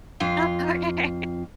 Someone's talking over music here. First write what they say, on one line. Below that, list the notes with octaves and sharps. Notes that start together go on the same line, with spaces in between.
Oh, okay.
F2 F4 F5